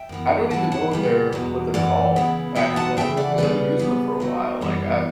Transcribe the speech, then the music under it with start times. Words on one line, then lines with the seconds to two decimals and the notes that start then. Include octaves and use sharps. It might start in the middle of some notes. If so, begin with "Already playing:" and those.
I don't even know what they're what they're called, actually, I've been 'cause I've been using them for a while, like, I
Already playing: E5 G5
0.09 F#2 E3 B3
0.50 G2 E3 A3 F#5 A5
0.72 F#5 A5
0.91 C#3 G3 B3
1.32 E2 B2 F#3
1.74 F#2 E3 A3 D5 F#5
2.16 C#3 E3 B3
2.55 B2 F#3 B3 E5 G5
2.76 F#5 A5
2.97 C#3 E3 A3 E5 G5
3.17 D5 F#5
3.38 C#3 G3 B3 B4 D5
3.79 C#3 G3 B3
4.20 A2 F#3 A3
4.61 F#2 E3 G3 B3